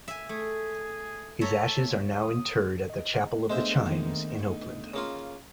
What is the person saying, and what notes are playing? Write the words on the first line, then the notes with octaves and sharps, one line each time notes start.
His ashes are now interred at the Chapel of the Chimes in Oakland.
E5 G#5
A3 G#4
A4 C#5 E5 A#5
D#6
D#5
G#3 A3 B3 D4 C5 E5
D#3 A#3 D#4
D#4
C#3 A#3 F4